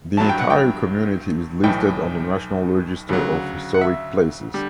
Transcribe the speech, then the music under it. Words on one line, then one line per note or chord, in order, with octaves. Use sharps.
The entire community is listed on the National Register of Historic Places.
A1 G2 F#3 A5
G5
F#5
G5
B1 A2 E3 G5
D2 C#3 F#3
F#5
E5
D3 G3